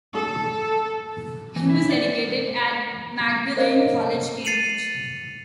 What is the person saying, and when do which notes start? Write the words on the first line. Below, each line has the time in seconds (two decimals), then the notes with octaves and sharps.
He was educated at Magdalene College, Cambridge.
0.14 A4
1.56 E3
1.70 E4
1.90 D5
3.57 A#4 C5 C#5 D#5 F5
4.45 A6 C7 C#7 D#7 F7 F#7